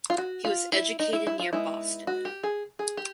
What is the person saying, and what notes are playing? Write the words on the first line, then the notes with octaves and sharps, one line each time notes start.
He was educated near Boston.
F4
F#4
F4
E4
D#4
E4
E4
F4
G#3 B3 D#4 E4
F#4
G4
G#4
G#4
G4